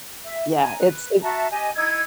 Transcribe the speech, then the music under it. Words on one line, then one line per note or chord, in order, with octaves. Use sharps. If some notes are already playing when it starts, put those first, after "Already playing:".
Yeah, it's it
E5
G#5 A#5
B4
F#4 E5 A5 A#5
G4 D#5 G#5
D#4 E4 E6 G#6